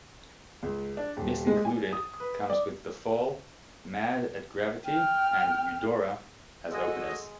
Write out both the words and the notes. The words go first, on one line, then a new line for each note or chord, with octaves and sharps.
This included Comes With the Fall, Mad at Gravity and Udora as openers.
C#2
D4
D#1
G#3
G#5
D#6
B4
D5
G5 F6
G#3 F#4 A4 D#5 G#5